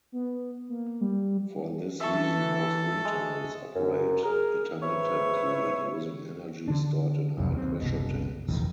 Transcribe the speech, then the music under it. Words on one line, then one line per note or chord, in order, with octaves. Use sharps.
For this reason most wind tunnels operate intermittently using energy stored in high-pressure tanks.
B3
A#3
G3
E3 A4 E5 C#6
G#3
F#2
G#4 A#4
G#2 B4 C#5 E5 C#6
D3 D4
F1 C2 F#2
D#2 C4
F#1 C2 B2
F1 A#1 E2 D#3